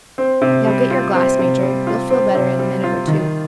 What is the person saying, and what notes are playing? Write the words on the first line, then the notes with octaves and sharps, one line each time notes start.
"Now get your glass, Major. You'll feel better in a minute or two."
C4
C3
G3
F4
C4
C3
G3
F4
C4
C3
G3
F4
D#3